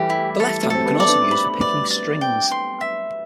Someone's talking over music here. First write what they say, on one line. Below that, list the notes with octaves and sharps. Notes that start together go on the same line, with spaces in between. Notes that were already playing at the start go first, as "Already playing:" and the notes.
The left hand can also be used for picking strings.
Already playing: E3 G3 A3 G4
E4
A4
F#3 A3
C4 A4
G3 B3
D5
B3 D4
B5
D5
D5
G5
C6
E5